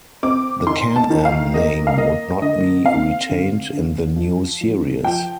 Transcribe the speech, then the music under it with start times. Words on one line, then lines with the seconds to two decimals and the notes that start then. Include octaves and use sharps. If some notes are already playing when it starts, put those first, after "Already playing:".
The Can-Am name would not be retained in the new series.
0.23 C4 D6
0.67 D#3 C6
0.96 A5
1.10 D#3
1.25 F5
1.54 A#3 D#5
1.87 F5
1.97 A#3 D#5
2.42 D3 D#5
2.85 C4 F5
3.29 D3
3.73 D3
4.16 F3
4.61 F3
5.04 F3 G5